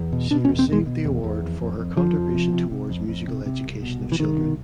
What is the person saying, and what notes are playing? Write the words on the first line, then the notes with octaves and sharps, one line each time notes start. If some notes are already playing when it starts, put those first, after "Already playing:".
She received the award "for her contribution towards musical education of children".
Already playing: E2
B2
B2 D4
C#4
E2
C4
B2 G#3
B2
E2
E2
F2
F2
F2
F2 F3
F2
C3
C3
C3
F2
F2
C3
C3
C2
B2
C2
E3
C2 D#3
B2